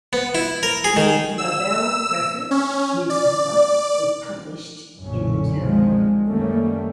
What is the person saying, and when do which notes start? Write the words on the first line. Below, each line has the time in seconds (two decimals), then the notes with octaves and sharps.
The "La Belle Cresset" newspaper was published in the town.
0.13 B3
0.35 E4
0.63 A#4
0.84 G#4
0.97 D#3
1.38 E6
2.51 C#4
3.10 D5
5.00 B1 F#2 A#2 D3 C#4
5.59 C2 D#3 F3 G#3
6.27 F#2 D#3 G3 A3 A#3 C#4